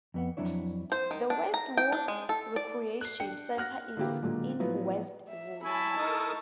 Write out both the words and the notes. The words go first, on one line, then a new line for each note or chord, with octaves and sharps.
The Westwood Recreation Center is in Westwood.
F2 B3 F#5
F2 G#2 F#3 D4 E4 C#5
C5
D#3
D4
A#5
G5
D4
G#3
A4
D5
F#6 C7
D4 G5 C#7
F#5 F6 F#6 A#6
D3 E3 A#3 E4 G4
A#2 D3 F#3 G#3 A#3
A2 F3 F#3 B3
E5
F#3 E4 G#5 A5 B5 C#6
D#4 A4 A#4 D#6